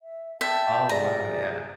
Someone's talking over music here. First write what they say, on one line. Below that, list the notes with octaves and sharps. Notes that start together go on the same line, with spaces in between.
Oh, wow, yeah.
E5
E5 G5 A5
F2 C3 G#4 D5 A#5